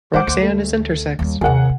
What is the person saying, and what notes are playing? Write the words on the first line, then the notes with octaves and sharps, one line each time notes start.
Roxanne is intersex.
F#3 G#3 C5 F#5 D6
D2
A3
D#2 G3
D#2 C3 G#4 A#4 F#5